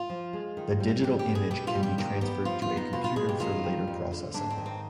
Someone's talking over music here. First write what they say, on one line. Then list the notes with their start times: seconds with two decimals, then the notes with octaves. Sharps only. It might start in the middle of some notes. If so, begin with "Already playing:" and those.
The digital image can be transferred to a computer for later processing.
Already playing: F4
0.10 F3
0.33 G#3
0.57 D#3
0.80 G3
1.04 G3 G4
1.19 G4
1.27 B3
1.35 G#4
1.50 B2 G4
1.67 F4
1.75 G3
1.83 G4
1.98 D#3 G4
2.21 B3 G4
2.45 F3 F4
2.62 F4
2.70 B3
2.77 D#4
2.93 B2 F4
3.04 F4
3.16 G#3 G#4
3.29 G4
3.40 D#3 F4
3.64 G3
3.87 F2
4.12 D3
4.34 G#2 D4
4.50 C4
4.58 D#3
4.66 C4